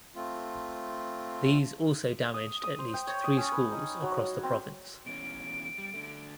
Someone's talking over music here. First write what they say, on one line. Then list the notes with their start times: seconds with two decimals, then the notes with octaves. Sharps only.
These also damaged at least three schools across the province.
0.16 A3 C4 F4
2.34 D#6
2.64 D#6
2.79 C5
2.94 G5
3.07 C#5
3.24 D#6
3.37 C#4
3.52 B4
3.72 D#4
4.02 F#3
4.43 C4
5.06 B2 E3 C#4 D7
5.78 G3
5.94 D3 A3